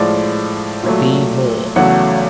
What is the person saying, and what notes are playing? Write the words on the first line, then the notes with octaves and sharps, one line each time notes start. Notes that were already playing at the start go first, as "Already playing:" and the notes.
Be Moore.
Already playing: A2 F3 G#3 D5
A#2 F#3 A3
E2 C#3 F#3 A3 F#5